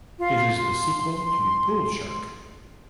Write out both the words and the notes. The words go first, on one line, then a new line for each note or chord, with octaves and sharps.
It is the sequel to "Pool Shark".
F4
C6